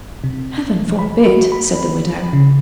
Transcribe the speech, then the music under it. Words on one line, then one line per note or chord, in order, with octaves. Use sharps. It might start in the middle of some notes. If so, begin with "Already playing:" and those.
"Heaven forbid!" said the widow.
C3
B5
F#4
B5
C#3